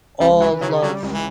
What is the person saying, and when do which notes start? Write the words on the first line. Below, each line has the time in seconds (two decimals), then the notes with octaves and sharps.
all love
0.20 C#2 G3
0.40 E3 F#3
0.61 C#3 F#3
0.82 F#3 G3
1.03 C#2
1.13 E3